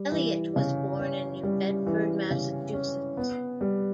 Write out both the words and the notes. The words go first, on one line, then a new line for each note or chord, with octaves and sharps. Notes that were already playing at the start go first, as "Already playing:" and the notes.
Eliot was born in New Bedford, Massachusetts.
Already playing: G3
E3
C#3
C#4
G3
E3
C#3
C#4
B3
G3